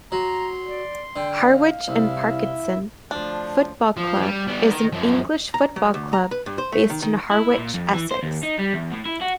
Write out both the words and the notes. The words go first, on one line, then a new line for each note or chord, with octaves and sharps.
Harwich and Parkeston Football Club is an English football club based in Harwich, Essex.
F#3 A#5 C6
D5
D3 G5
F5
C2 E4 E5
D2 F3 D4
F3
G3
G3 B3
D#3
F#2 F3
A#5
F#3
D2
A#5
B4
G2
C5
A3
D#3
D#3
E4
A#2
F2
E3
C5
D#2
D#4
G3
E2
A2
E4
F#4